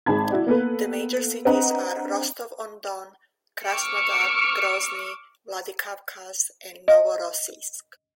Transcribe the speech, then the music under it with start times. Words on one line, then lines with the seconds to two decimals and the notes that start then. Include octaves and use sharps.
The major cities are Rostov-on-Don, Krasnodar, Grozny, Vladikavkaz, and Novorossiysk.
0.06 G#1 D#3 G#4 A5 B5 G#6
0.30 E4 F#4 D5
0.47 A#3 B3 A4 B4
1.45 C4 D4 B4 D#5 F#5 A#5
3.67 C#6 D6 E6 F6 C#7 D7
6.88 D#5